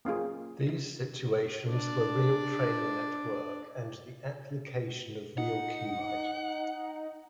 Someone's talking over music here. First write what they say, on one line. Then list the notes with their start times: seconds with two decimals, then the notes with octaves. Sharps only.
These situations were real training at work and the application of real Kumite.
0.05 A#3 C#4 F4 G#4
1.68 D4 D5
5.38 D#4 F#5